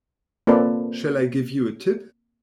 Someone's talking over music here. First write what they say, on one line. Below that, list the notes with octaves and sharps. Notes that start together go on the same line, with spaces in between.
Shall I give you a tip?
A#3 C4 F4 A4 B4 D5